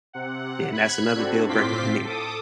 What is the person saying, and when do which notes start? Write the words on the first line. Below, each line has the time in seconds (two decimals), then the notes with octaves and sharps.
then that's another deal breaker for me.
0.13 C3 F#5
0.72 B5 F#6 G#6
1.16 C4 D4 F#4 A4
1.49 A2 C4 F4 C6 D6 B6
2.05 A4 D6 D#6